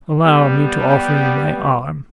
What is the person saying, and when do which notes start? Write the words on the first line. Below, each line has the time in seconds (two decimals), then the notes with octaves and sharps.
Allow me to offer you my arm.
0.24 G3 B3